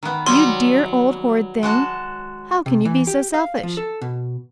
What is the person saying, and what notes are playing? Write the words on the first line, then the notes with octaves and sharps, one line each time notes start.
"You dear old horrid thing How can you be so selfish?"
D#3 B3
F#3 G3 G#5 C6
G#3 F#4 A5
C3
E3
G4
F5
F3
A4
B2